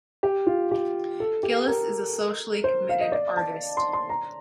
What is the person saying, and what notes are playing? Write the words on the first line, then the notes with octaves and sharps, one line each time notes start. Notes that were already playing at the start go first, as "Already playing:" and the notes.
Gillis is a socially committed artist.
G4
F4
G4
A4
G4
A#4
C5
F5
D#5
D5
A5
C6
C6
A#5